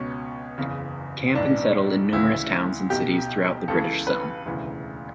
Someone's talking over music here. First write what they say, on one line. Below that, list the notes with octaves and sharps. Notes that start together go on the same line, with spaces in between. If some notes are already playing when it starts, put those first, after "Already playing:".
Camp and settle in numerous towns and cities throughout the British Zone.
Already playing: C#2 B2 C#4
F#1 E2 C#3
B1 A2 E3 D4
D2 C#3 E3 E4
B1 B2 G4
C#2 C#3 E3 A4
B4
E1 D2 C#3 E3